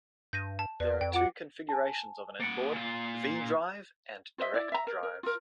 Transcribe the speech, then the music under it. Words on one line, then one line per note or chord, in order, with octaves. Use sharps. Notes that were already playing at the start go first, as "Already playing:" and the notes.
There are two configurations of an inboard, V-drive and direct drive.
G2 G6 A#6 D#7
A5
E2 B4 D5
F2 G5
F4 F#5 D6 D7
G#5 A5
A#3 F#5 A6 C#7 D7
A#2 F4
F4 C5 D#5 E5
E4 D5
E5 A#5
A#4
A#4
F4 A#4